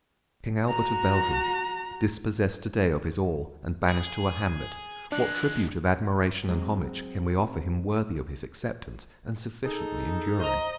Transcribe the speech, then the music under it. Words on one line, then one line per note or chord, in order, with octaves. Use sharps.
King Albert of Belgium, dispossessed to-day of his all and banished to a hamlet--what tribute of admiration and homage can we offer him worthy of his acceptance and sufficiently enduring?
F#4 A#5
G#4
F2 G#3 D4 F#6
F#3 G#3 C4
D#4 G#4 A4
C5 D#5 A#5